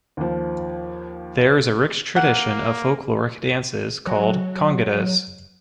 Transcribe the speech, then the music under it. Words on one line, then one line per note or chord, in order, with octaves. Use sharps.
There is a rich tradition of folkloric dances called congadas.
D#2 F3
A#3 F#5
F#3